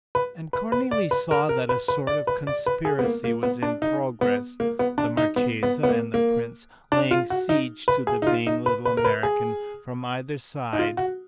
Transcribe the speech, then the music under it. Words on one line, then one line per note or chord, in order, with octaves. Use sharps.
And Cornelie saw that a sort of conspiracy was in progress, the marchesa and the prince laying siege to the vain little American from either side.
B4
B4
B4
D5
B4
A#4
A#4
B4
B4
D5
B4
D5
B4
G#4
B3
A#3
A#3
B3
D4
D#4
B3
A#3
B3
D4
D#4
B3
B3
B3
A#3
A#3
D4
F4
F#4
D#4
B4
G#4
D#4
F4
D#4
B4
B4
A#4
B4
G#4
D#4
F4
F#4